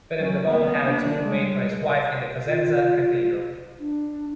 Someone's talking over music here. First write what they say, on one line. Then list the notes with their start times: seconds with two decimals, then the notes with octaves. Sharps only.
Philip the Bold had a tomb made for his wife in the Cosenza cathedral.
0.18 F#3 C#4
0.47 A#3 B3
0.85 D4
1.22 G3 G#3
2.47 F4
3.79 D4